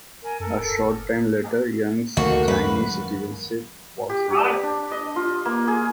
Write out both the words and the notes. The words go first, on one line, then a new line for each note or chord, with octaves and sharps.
A short time later, Yang's Chinese citizenship was revoked.
A#4 G#5
F#2 A4 A#4
D1
F#1
D2 D#3 A3 A#3 F#4
F#2 G#3 B4
G4
D5
D4
D#5
F4
A#3
G#4